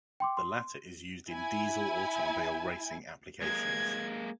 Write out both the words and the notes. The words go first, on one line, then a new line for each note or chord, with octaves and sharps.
The latter is used in diesel automobile racing applications.
G5 C6 D6
C6
E4 G#5
G#3 A#3 G#6